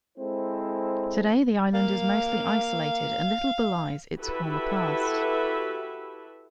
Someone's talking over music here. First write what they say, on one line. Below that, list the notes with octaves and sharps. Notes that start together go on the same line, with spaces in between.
Today the island is mostly isolated and little belies its former past.
G#3 C4 E4 A4 C5
A#3 F5
E4 F#4 G4 A4 B4 E5